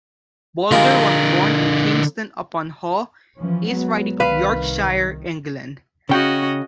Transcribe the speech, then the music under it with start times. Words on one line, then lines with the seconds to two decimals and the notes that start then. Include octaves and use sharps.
Bolder was born in Kingston upon Hull, East Riding of Yorkshire, England.
0.71 D3 G#3 F4 G4 A#4
3.38 E3 F3 C#4
3.70 F#3 G#3 B3
4.20 C2 D#3 B4 F5
6.09 C#3 C#4 F#4 D#5 G5